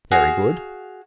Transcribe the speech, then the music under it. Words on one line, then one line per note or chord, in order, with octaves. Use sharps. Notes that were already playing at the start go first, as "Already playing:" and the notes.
Very good.
F#4 G#4 F5